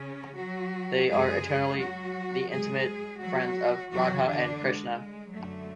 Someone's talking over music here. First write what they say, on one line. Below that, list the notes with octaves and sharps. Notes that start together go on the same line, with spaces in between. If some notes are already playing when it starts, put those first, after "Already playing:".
They are eternally the intimate friends of Radha and Krishna.
Already playing: C#3 C#4
F#3 F#4
F#2 C#3 F#3 G#3 G#4
F#3 F#4
G#2 F#3 G#3 G#4
F#3 F#4
F#2 E3 F#3 F#4
D3 D4
G#3
F#2 D3 F#3 A3